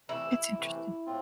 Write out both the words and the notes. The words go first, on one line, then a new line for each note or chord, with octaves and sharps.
That's interesting.
C3 E3 A3 E4
C3 E3 A3
A2 C4 F4